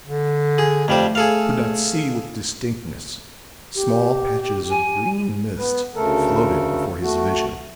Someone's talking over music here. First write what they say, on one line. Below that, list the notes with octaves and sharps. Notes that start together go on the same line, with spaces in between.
He could not see with distinctness. Small patches of green mist floated before his vision.
D3
G#4
F2 G3 A3 C5
G#4 A4 F5
G4
G#5
B3 B4
D2 C#3 A3 A4 A#4
A3 F#4